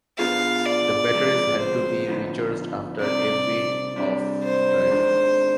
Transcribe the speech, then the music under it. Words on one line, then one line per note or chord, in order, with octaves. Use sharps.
The batteries had to be recharged after every of driving.
B2 B3 D4 F4 G#4 F5
D5
D2 C3 F3 G#3 B3
C5
D2 D3 F3 B3 D#4
C2 C3 D#3 D5
C3 G3 D4
C5
G#2 D#3 G#3 D4